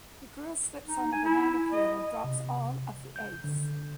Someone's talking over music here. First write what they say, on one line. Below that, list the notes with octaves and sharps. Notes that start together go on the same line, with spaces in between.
The girl slips on a banana peel and drops all of the eggs.
D#4
G#5
E4
D#5
C3
G6
D3